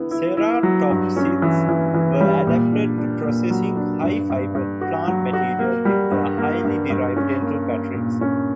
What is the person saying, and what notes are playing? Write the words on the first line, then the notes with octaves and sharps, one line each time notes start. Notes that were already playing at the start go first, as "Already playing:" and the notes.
Ceratopsids were adapted to processing high-fiber plant material with their highly derived dental batteries.
Already playing: D3 B3 E4
E4
E4
F#3
G2
C#4
E3
E3
E3
G3
A#2
D4
D4
A#2
F#3
D4
G2
G2
G2
F#4
F#3
F#4
A#3
G3
G2
A#3
G2
G2
C#4
A#3
A#3
A#2
C#4